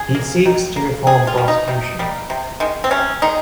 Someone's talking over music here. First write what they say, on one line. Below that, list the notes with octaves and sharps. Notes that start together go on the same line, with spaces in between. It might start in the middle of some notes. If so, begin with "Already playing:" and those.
He seeks to reform prosecution.
Already playing: G#4
A#3
D#3
A#3
C3 G#4
F4
G3 A#3
D#4
C3
G3 A#3
C3
D#3 G#3
C4
C3 C#4
D#3 G#3 D#4